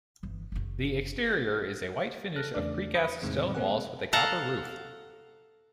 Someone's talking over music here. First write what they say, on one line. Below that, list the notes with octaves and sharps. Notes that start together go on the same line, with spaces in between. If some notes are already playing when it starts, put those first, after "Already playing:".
The exterior is a white finish of pre-cast stone walls with a copper roof.
G1 E3
F#1 C#3
A4 F6 F#6 A#6
E2 C#3 A3 D4 D5
B5 D#6 G6 C#7
E2 A2 C3 D#3 G#3 C4
G#3 A#3 C4 G#4 F#5
A4 F5 F#5 A5 A#5